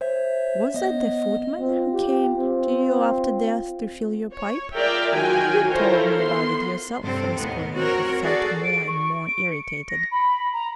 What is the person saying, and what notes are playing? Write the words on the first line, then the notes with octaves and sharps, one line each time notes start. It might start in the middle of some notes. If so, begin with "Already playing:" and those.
"Was that the footman who came to you after death to fill your pipe?... you told me about it yourself." Raskolnikov felt more and more irritated.
C5 C#5 E5
B3 D#5
C4 F4
G4
C4
C#5
F4 G#4 A#4 D5 E5 G5
D#3 F#3 F4 F#4 G5 G#5
E4 F4 A4 A#4 C5 C#5
B3 C6
G2 C3 C4 A4
D#2 A2 B3 D#4
C4 F#4 A#4 C#5
F#4 G#4 A4 D5
D7
C#6
D7
C#7
A#6
B5
A#5